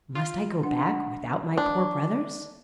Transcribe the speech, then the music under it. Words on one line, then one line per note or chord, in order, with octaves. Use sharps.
"Must I go back without my poor brothers?"
F4
D4 F#5
D4